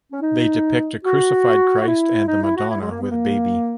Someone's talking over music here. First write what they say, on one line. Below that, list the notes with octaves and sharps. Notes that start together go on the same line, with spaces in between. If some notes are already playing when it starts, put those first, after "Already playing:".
They depict a crucified Christ and the Madonna with baby.
C#4
D#4
F#4
F#4
E4
D#4
E4
F#4
E4
G#3
A#3
B3
A#3